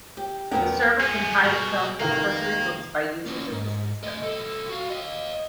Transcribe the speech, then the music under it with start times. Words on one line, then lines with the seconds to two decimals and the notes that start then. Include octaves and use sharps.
The server can hide itself from cursory looks by users of the system.
0.17 G4
0.51 E2 B3 A#4 G5
1.00 G#3 B3 G#4
1.44 B2 F6 A#6
2.00 F1 D#3 A#3 A#4
3.26 A#3 C#4
3.52 G#2
4.03 A3 D#5
4.22 C2 A4
4.69 F#4 F5
4.90 D#5 F5